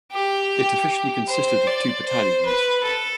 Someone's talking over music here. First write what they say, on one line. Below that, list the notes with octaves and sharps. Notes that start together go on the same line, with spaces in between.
It officially consisted of two battalions.
G4
C5
D5
C5
B4
A4